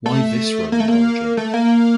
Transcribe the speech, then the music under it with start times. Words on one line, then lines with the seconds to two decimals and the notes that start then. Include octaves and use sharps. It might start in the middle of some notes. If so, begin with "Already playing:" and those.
Why this Roman origin?
0.06 A3
0.72 A#3
0.80 A3
0.88 A#3
1.37 A3
1.54 A#3